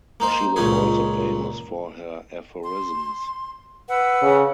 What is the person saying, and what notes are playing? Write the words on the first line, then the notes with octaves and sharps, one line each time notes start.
She was also famous for her aphorisms.
A#3 D#4 C5
C#2 A#2 C#4 D#4 G#4
C6
B4 F#5 E6
C#3